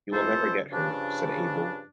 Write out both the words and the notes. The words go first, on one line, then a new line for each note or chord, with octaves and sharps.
"You will never get her," said Abel.
C2 F2 E3 F4 A4 C5
G2 C#3 F3 D4